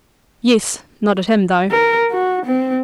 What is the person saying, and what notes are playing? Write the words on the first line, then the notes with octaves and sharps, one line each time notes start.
'Yes; not at him, though.
A#4
F#4
C4